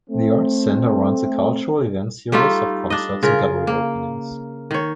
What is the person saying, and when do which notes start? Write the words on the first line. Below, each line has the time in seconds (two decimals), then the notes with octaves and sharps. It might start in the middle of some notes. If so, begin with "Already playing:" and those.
The Arts Center runs a cultural events series of concerts and gallery openings.
0.10 A3 C4
2.32 G3 A3 D#4 F4
2.90 D4 D#5
3.23 C#3 F4 A#4
3.67 A#3
4.71 D#3 C#5